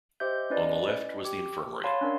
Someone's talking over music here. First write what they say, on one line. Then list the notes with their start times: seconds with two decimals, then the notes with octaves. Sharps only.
On the left was the infirmary.
0.20 G4 C5 D#5 E5 G6
0.50 C#4 E4 B4 D5 D#5
1.25 G4
1.84 C#5 F5 F#5 A5 B5 C6
2.01 C#4 D4 A#4 F#5